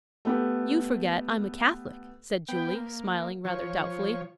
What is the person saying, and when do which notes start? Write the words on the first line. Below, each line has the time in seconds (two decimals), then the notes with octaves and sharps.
"You forget I'm a Catholic," said Julie, smiling rather doubtfully.
0.25 A3 B3 G4
2.49 B3 G5
2.75 A#3
3.45 F3 C#5